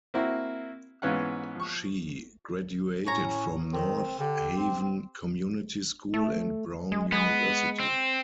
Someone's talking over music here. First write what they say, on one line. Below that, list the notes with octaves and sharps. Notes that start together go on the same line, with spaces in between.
She graduated from North Haven Community School and Brown University.
A#3 C4 E4 F#4
G#2 E3 B3 C#4 F5 F#5
F3 C#6
A2 C#4 C#5 A#5
D#3 C4
D3 G4
C4
A3
G#3
G#3 B3
C4